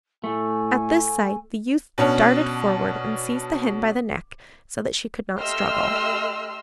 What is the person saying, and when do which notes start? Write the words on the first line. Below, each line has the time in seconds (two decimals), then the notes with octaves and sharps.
At this sight the youth darted forward and seized the hen by the neck so that she could not struggle.
0.24 A2 A3 G#5
1.98 B2 C#4 D4
5.40 A3 G4 D#5 C6 E6 F6